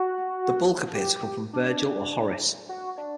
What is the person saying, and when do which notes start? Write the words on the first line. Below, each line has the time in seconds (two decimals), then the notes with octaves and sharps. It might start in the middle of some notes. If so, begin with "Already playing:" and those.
The bulk appear to come from Vergil or Horace.
Already playing: F#4
0.94 G4
1.53 D4
2.69 F#4
2.98 D4